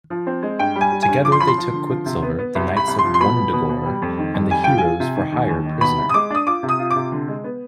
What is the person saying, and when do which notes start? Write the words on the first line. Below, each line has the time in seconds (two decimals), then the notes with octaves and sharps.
Together they took Quicksilver, the Knights of Wundagore, and the Heroes for Hire prisoner.
0.10 F3
0.27 C4
0.43 G#3
0.59 G2 G5
0.76 G3
0.81 G#5
0.92 G3
1.03 G#5
1.08 G2
1.24 F3 D6
1.32 C6
1.40 F3 B5
1.48 C6
1.57 F3
1.73 D3
1.90 F3
2.06 C3
2.23 B3
2.39 B3
2.55 C2
2.71 C2
2.77 B5
2.87 C2
2.99 C6
3.04 F3
3.14 C6
3.20 B2 B5
3.36 B2
3.53 B2
3.69 B2
3.86 G3
4.02 F2
4.18 D#3
4.34 F2
4.51 G3 G#5
4.64 F4 G5
4.78 G#5
4.83 F4
5.00 C3
5.16 D#3
5.32 D#2
5.49 D#2
5.65 D#3
5.81 B2 B5
5.98 C2
6.09 D#6
6.14 G#3 D6
6.30 D4 D#6
6.46 F4 D6
6.63 C3
6.69 D#6
6.79 F4
6.90 D6
6.96 C3
7.12 D3
7.28 G#3
7.44 B3